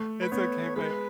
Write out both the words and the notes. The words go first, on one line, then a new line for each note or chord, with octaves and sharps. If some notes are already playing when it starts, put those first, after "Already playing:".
it's okay if I
Already playing: A3
B4
B3 C#5
G#3 B4